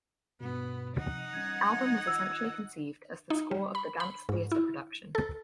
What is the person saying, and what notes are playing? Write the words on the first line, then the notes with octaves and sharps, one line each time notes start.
The album was essentially conceived as the score of the dance theatre production.
G2 B2 B3
C3 F3 D#4 F#5
E3 G3 C#4 G#6
D#3 F4 E6
D#4
G3
B5
B5
G#2
E4
A4